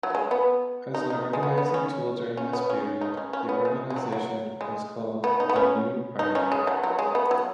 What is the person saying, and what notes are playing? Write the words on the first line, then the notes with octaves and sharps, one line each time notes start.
As an organizing tool during this period, the organization was called the New Party.
F#3
G#3
B3
D#4
D#4
G#3
B3
B3
C#4
C#4
B3
C#4
D#4
C#4
C#4
B3
G#3
G#3
F#3
F#3
G#3
B3
D#4
B3
C#4
D#4
C#4
G#3
F#3
F#3
G#3
B3
F#3